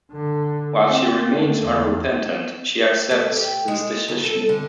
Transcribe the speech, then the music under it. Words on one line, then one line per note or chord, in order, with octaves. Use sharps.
While she remains unrepentant, she accepts his decision.
D3
C4
D3 A3
E2
A3
G4
G#3
D2
A4
D3